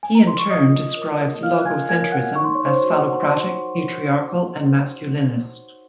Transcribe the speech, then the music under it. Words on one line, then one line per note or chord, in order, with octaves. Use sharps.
He in turn describes logocentrism as phallocratic, patriarchal and masculinist.
G#5
A#5
C6
C#6
F4 D#5 D#6
A#4 C#5
F4 F5 F6
F#6
G#5 G#6
A#4 C#5 G#5 G#6
F#5 F#6
D#4 C#6
C6
C#5 C#6
C5 C6
F#4 C5
F#5
C6